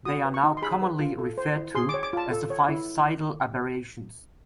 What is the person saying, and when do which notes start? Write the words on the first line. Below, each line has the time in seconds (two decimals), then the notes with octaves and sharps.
They are now commonly referred to as the five Seidel Aberrations.
0.05 F#4 D#6
0.25 B4
0.34 C#6
0.44 D#4
0.57 C6
0.62 G#4 B5
0.82 B4
1.00 F4
1.19 A4
1.38 C5
1.56 E4
1.75 G#4 C6
1.89 C#5 D6
2.03 D6
2.13 F4 A5
2.31 A4
2.50 C#5
2.69 E4